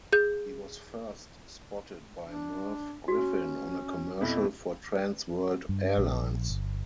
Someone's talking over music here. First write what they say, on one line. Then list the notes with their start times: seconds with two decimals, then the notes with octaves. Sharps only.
He was first spotted by Merv Griffin on a commercial for Trans World Airlines.
0.13 G#4 G6
2.25 D4
3.08 C#4 F#4
4.21 F2 B2 E4
5.69 G2
5.98 A#1
6.50 G1